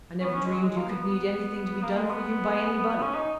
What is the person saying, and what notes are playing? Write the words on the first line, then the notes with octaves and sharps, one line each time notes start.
I never dreamed you could need anything to be done for you by anybody.
C#4
B3
C#4
G#3
F#3
G#3
A#3
B3
B3
A#3
G#3
B3
C#4
D#4